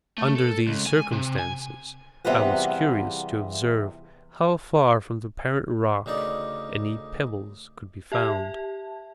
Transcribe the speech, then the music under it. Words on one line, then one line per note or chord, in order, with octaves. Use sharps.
Under these circumstances I was curious to observe how far from the parent rock any pebbles could be found.
A3
A4
C#2
G#5
C3
G#5
E2 C3 G3 F4 B4 F#5
D2 C#3 D#4 A#4 D5
G4 E5 A5